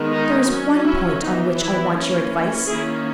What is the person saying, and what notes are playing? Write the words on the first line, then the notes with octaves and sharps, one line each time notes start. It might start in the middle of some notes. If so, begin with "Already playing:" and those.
There is one point on which I want your advice.
Already playing: D#3 G#3 B3
D#4
F#3 C#4
E4
E3 B3 D#4
E4
E3 A#3 C#4
D#3 A#3 C#4 E4 G#4